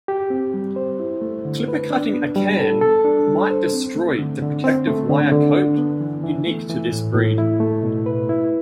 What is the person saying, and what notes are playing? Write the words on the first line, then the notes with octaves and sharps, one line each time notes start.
Clipper-cutting a Cairn might destroy the protective wire coat unique to this breed.
G4
C4
G3
C5
E4
A3
D3
B4
D4
B3
G3
A4
A4
D4
G3
C5
C4
A3
D3
D3
C4
A3
D3
D3
D4
B3
E3
E3
A3
E3
A2
A2
E4
A3
B2
B4
E4